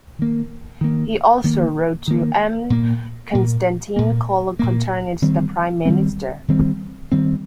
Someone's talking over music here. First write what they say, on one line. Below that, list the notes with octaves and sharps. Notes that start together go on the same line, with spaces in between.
He also wrote to M. Constantine Colocotronis, the Prime Minister.
D#3 A#3
D#3 A#3
D#3 A#3
D#3 A#3
A#2 A#3
A#2 A#3
A#2 A#3
A#2 A#3
D#3 G3 C4
D#3 G3 C4
D#3 G3 C4
D#3 G3 C4